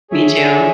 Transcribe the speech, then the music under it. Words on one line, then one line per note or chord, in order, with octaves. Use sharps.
Me too.
G#4 C#5 E5 G#5